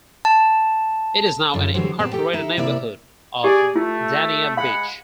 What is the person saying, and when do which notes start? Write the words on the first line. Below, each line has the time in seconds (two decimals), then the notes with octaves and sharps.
It is now an incorporated neighborhood of Dania Beach.
0.25 A5
1.54 F#2 D3 F4
1.74 D3 E3 F#3 F#4 G4 C5
1.99 A#2 B3 C4 A5
2.13 G4 A4 G5
2.33 D#4 E4 E5
2.57 C3 A#3 E4 A#4 D5 E5
3.44 G4 G#4 D5
3.76 A3 F4
4.57 G#3 F5 F#5 B5